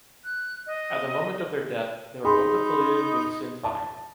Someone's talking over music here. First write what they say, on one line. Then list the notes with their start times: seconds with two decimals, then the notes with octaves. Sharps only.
At the moment of their death, they were both affiliated with Sinn Féin.
0.24 F#6
0.66 D#5
2.24 D#4 G#4 B5 C6
3.64 A5